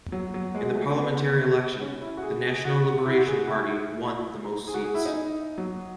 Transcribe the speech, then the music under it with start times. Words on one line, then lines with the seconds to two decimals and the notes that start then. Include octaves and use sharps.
In the parliamentary election, the National Liberation Party won the mosts seats.
0.12 F#3
0.34 F#3
0.55 G#3
0.75 A3
0.88 C#4
0.97 B3
1.81 C#4
2.02 E4
2.17 F#4
2.22 G#4
2.65 F#4
3.06 E4
3.17 F#4
3.27 G#4
3.38 F#4
3.48 E4
4.67 G#4
4.74 F#4
4.84 G#4
4.95 E4
5.06 D#4
5.58 F#3